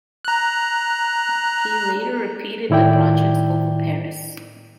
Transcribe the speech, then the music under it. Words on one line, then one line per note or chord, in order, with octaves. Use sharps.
He later repeated the project over Paris.
A#5 F#6
A2 D#3 E4 D5 G5